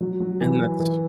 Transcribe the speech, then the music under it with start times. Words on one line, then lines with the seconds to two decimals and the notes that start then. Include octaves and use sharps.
and that's
0.01 F#3
0.20 F#3
0.41 E3
0.80 E3